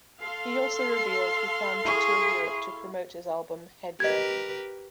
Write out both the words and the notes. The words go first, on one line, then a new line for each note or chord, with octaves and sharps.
He also revealed he planned to tour Europe to promote his album "Head Job".
A4 F5 C6 C7
E4 G#4 C#6
G4 A#4 B4 D#5 G#6